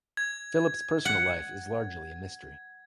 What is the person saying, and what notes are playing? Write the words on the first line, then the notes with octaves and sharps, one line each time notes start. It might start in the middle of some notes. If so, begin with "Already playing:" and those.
Philip's personal life is largely a mystery.
G#6
F#5